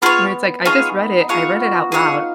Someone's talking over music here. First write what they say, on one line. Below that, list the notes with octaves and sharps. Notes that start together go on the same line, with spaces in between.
where it's like, I just read it, I read it out loud,
B3 F4 G#4 C#5
D#4 F4 G#4 C#5
D#4
F4 G#4 C#5 F#5
F#4
F4 G#4 C#5 F#5
D#4
F4